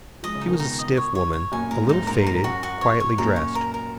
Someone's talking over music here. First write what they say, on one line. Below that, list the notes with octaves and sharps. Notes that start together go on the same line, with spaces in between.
She was a stiff woman, a little faded, quietly dressed.
F3 G#3 D#5
C#3 F3
D#4
B2 D#3
D#4
D#5
C#5
C#5
C#5
F#2 A#2 G#5
A#2 A#4
G#2
F#2 D#4
G#2 A#4
A#4
F#2 F#4
F#4
C#5
C#5
F#2 A#2 A#4
C#5
A#4
A#4